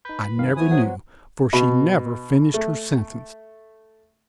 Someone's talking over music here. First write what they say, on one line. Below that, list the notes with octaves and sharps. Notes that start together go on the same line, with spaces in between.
I never knew, for she never finished her sentence.
D#4 B4 G6
B5
G2 D#3 F5
F3 A3 B3 G#5 D#6
F#3 C5 F#5
B2
A3